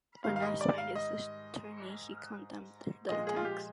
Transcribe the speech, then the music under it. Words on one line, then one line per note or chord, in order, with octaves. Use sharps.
When asked by his attorney, he condemned the attacks.
G#2 D#3 G3 F5
F5
D#5
D5
F5
D#5
A#2 F3 G#3 D#5
G#4
F4
G4